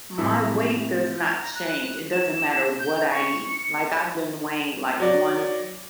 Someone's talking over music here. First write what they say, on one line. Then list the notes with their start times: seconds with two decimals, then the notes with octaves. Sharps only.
my weight does not change. It doesn't matter what I eat. Like, I've been weighing, like, one
0.18 A2 C3 E3 A3
1.42 A#5
1.55 F#6
2.13 E7
2.80 G6
3.11 C#6
3.47 C#7
5.00 F#3 D5